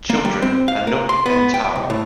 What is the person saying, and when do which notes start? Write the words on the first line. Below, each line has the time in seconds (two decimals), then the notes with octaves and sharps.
Children: Anouk and Tara.
0.10 A#3
0.25 G3
0.42 C4
0.68 F5
0.87 A#4
1.09 C6
1.26 B3
1.54 G5
1.76 C2
1.90 A2